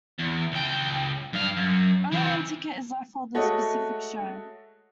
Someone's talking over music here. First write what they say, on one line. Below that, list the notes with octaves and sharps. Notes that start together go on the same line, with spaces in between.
Only one ticket is left for the specific show.
E2
C#2 G5
G2 F5
F#2
E3 C4
G#3 A3 F#4 A4 C#5 D#5